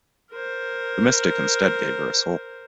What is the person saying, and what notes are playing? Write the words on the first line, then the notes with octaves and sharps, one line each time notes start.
The mystic instead gave her a soul.
A#4 C5